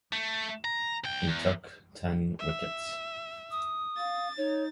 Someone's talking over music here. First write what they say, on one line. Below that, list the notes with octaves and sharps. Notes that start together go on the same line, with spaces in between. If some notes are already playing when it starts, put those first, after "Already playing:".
He took ten wickets.
A3
A#5
C2 G5
E2
E5
D#6
F5 A6
D#4 C#5